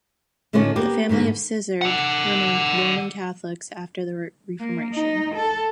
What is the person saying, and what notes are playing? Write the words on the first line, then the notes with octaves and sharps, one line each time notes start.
The family at Sizergh remained Roman Catholics after the Reformation.
A2 D3 D#3 A3 C#4 F4
A#3 B3 G4
G#2 B2 D3 A#3
D5 F#5
A#3
D#4
A4